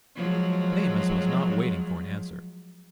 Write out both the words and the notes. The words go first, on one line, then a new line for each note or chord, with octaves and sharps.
But Amos was not waiting for an answer.
F3 F#3 G#3